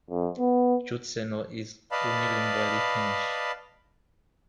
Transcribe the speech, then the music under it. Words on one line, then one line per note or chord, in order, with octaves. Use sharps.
Joutseno is unilingually Finnish.
F2
B3
B4 D5 D#5 F5 A5 B5